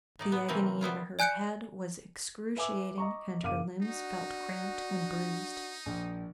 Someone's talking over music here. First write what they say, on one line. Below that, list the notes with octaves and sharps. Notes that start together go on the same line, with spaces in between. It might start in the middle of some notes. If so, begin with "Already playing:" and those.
The agony in her head was excruciating, and her limbs felt cramped and bruised.
A2 D#4 D5
B3
C3 E3 A#3 C4 C#4
G3 B3 E4 F4
D5 G#5 F#6 G6 C#7 D7
B4 E5 G#5 D6 E6
D#5 A#5 C#6
F#1 F5 D6 D#7
D4 D#4 F#4
A#1